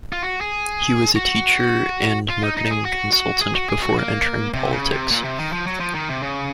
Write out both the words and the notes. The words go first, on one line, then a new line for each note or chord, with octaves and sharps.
He was a teacher and marketing consultant before entering politics.
F4
F#4
G#4
F#4
F4
D#4
D#4
G#4
F#4
F#4
G#4
F#4
G#4
F#4
A#3
C3
C#3
C3
A#2
C3
D#3
F3
F#3
F3
D#3
C3
C#3